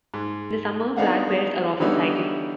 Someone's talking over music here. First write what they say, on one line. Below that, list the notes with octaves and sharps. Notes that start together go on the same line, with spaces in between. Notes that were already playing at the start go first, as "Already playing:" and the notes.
In the summer black bears are often sighted.
G#2
B3 D4 D#4 G#4 F5 F#5
D3 E3 G3 B3 C#4 D#4